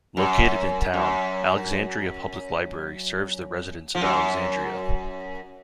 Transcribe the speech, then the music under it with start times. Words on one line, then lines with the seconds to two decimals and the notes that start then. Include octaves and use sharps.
Located in town, Alexandria Public Library serves the residents of Alexandria.
0.17 F#2
0.94 F#2
3.95 F3
4.01 F#2